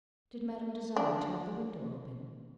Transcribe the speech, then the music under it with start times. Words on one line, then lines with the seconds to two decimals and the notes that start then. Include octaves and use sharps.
Did madame desire to have the window open?
0.96 D4